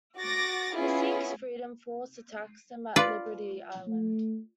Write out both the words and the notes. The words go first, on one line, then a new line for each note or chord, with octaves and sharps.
Mystique's Freedom Force attacks them at Liberty Island.
F#4 D6 A6 A#6
B3 C#4 E4 F4 G#4
F4 B4 D5
A3